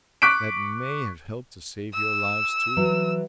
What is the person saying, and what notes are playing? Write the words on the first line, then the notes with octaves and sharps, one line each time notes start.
That may have helped to save your lives too.
C#6 D6 F#6 B6 D7
E6
E3 F#3